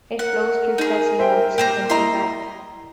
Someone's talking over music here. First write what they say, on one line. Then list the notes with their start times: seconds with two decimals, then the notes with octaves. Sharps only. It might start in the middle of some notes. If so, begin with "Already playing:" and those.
It flows through Plessey Woods Country Park.
0.19 A#4 F#5
0.78 D#4 G#4
1.19 C5 E5 G5
1.58 A#2 G4 C5 A#5
1.90 E4 D#5 A#5 C6